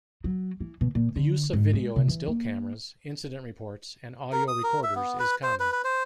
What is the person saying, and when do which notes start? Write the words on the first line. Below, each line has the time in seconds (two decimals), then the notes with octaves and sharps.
The use of video and still cameras, incident reports and audio recorders is common.
0.24 F#3
0.60 E3
0.81 B2
0.95 A#2
1.16 D3
1.53 G#2
1.73 G#3
1.96 C3
2.08 E3
2.28 A#3
4.32 A#4
4.48 D#6
4.63 A#4
4.83 E5
4.96 B3
5.19 B4
5.43 C5
5.60 B4
5.72 B4
5.84 C5